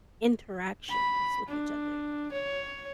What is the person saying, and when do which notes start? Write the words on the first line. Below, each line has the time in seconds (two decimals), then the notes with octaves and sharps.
interactions with each other.
0.89 B5
1.49 D4
2.32 C#5